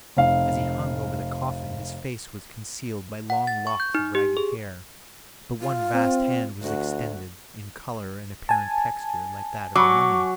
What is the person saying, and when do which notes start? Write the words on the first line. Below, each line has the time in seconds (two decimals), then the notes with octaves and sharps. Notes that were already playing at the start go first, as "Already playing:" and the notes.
As he hung over the coffin, his face was concealed by long locks of ragged hair; but one vast hand was extended, in colour and apparent texture like that of a mummy.
0.17 F1 F5
3.30 F#5
3.47 A6
3.67 C#6
3.80 G6
3.95 D#4
4.15 G4
4.37 G#4
5.60 F4
5.94 C4
6.63 D2 F#4
8.49 G#5 A5
9.76 F#3 C#6 D6